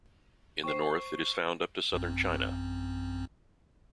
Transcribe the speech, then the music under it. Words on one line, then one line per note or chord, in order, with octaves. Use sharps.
In the north it is found up to southern China.
C5 G5 C#6 C7
A1 F#2 C4